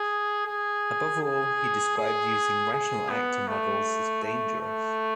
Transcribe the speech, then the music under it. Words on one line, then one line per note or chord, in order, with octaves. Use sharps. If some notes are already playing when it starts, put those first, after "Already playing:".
Above all, he described using rational actor models as dangerous.
Already playing: G#4
G#4
G#4
G#4
G#4
B3
A3
A3
A3